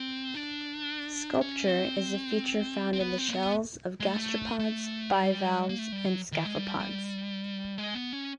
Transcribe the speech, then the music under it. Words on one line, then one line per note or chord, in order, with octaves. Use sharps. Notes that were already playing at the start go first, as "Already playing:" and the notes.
Sculpture is a feature found in the shells of gastropods, bivalves, and scaphopods.
Already playing: C4
D4
C#4
C4
C4
B3
C4
A#3
B3
G#3
A3
A3
G3
A#3
A3
G3
F#3
D#3
G#3
G3
G#3
B3
C#4